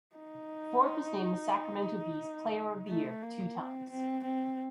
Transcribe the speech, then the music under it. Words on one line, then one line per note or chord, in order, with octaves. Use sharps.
Ford was named the Sacramento Bee’s player of the year two times.
D#4
A3
A#3
C4
C4
C4